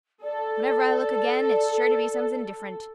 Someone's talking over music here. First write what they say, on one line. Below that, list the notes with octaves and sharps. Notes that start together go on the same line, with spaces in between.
Whenever I look again, it's sure to be something different!
A4 D5